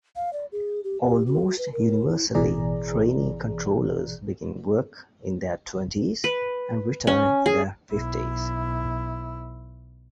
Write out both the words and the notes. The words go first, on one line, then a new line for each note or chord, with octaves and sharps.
Almost universally, trainee controllers begin work in their twenties and retire in their fifties.
F5
D5
G#4
G4
G4
F#4
B4
A#4
E4
A1 B2 E3 G#4 D5 A#5
B4
C#4
G#4
B1 E4